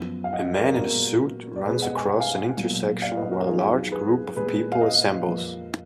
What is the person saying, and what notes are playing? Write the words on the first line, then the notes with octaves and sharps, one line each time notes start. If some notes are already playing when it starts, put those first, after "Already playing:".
A man in a suit runs across an intersection while a large group of people assembles.
Already playing: F#2 F3 B3 F#5
F5
D#5 F#5
A#4 D5
A#2 G#3 B3 F#4 A#4
D5
B2 G#3 B3 G#4 B4
D#5 F#5
G#5
F#5
F5 G#5
A#2 F#3 B3
D5 F5
B4 D#5
F#4 A#4
F2 D#3 F#3 B3 F4 G#4
G#4 B4
A#2 G#3 B3 G#4 B4
F5
B4 D#5
F2 F3 A#3